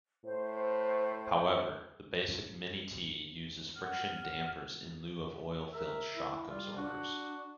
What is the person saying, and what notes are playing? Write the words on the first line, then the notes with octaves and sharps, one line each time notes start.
However, the basic Mini-T uses friction dampers in lieu of oil-filled shock absorbers.
A2 C5
F#5 F6
A#4 E5
E4
G3 F4
D4 F#4